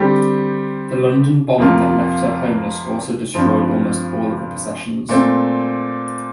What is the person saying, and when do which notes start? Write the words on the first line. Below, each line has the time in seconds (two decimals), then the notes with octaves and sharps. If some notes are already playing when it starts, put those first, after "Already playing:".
The London bombing that left her homeless also destroyed almost all of her possessions.
Already playing: D3 G3 C4 G4
1.58 F2 C3 F3 A#3 F4
3.34 G2 F3 C4
5.09 A#2 A3 C4